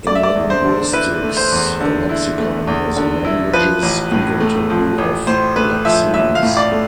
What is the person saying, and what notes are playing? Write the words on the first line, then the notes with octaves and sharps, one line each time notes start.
In linguistics, a lexicon is a language's inventory of lexemes.
A3 D5
E5
D5
E2
C5
D3
E4 B4
A3
C5
E2
D3
E4
A3
E2
D3
E4
F3 B4
A1
A2
A3
F3
A1
A2 C5
A3 B4
F3 E5
A1 E5
F5
A2
D5
A3